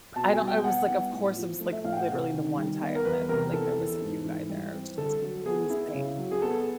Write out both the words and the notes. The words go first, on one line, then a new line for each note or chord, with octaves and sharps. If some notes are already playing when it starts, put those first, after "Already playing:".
I don't I was like, "Of course, it was, like, literally the one time that, like, there was a cute guy there." Just insane.
B2 A5
G#5
G3
G5
B3 F#5
E4
A2
F3
A3
E5
A2 F5
G5
F#5
C3
D#3
G3
B3
A#4
E2 B4
C3 A#4
E3 A4
E2
G#2
E3
G3
C4
D3 A4
F#3
B3 G#4
E4
C#3
F#3
G#4
B3 A4